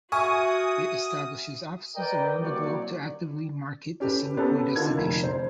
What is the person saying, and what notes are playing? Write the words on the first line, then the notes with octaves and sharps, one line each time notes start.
It establishes offices around the globe to actively market the Singapore destination.
F#4 E5 G#5 C#6 D#6 F6
A#4 B4 D5 D#5 G5
C2 F#3 A#3 C#5 D5
C#4 G4 A4 B4
B3 C#4 G4 A4
D3 D#3 F4 A4 A#4 G#6
F1
C5